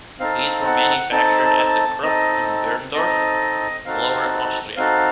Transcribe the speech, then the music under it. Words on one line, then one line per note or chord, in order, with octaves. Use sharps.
These were manufactured at the Krupp in Berndorf, Lower Austria.
C4 D#4 A4 F5
F#5
C4 D#4 A4 A5
A5
C4 D#4 A4 D#5
C4 D#4 A4 D#5
C4 D#4 F#4 A4 F5
C4 D#4 F#4 A4 F5